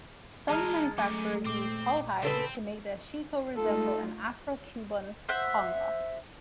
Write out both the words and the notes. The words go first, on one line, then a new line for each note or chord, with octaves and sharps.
Some manufacturers use cow hide to make the ashiko resemble an Afro-Cuban conga.
E3 G#3 F4 A5 A#5 F6
F#2 A3 D6
A#2 C4 D6
C#3 C4 A4 B4
A3 D#4 F4 A4
C5 E5 F#5